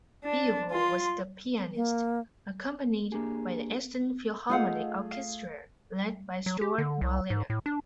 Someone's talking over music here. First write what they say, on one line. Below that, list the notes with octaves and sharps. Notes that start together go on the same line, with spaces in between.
Biegel was the pianist, accompanied by the Eastern Philharmonic Orchestra led by Stuart Malina.
D4
F4 C6
A#3
A#3 D4 G4 G#4
A3 D#4 F4 G#4 F5 F#5
F5
F#3
G4
D3
C2
G#2
A2
D4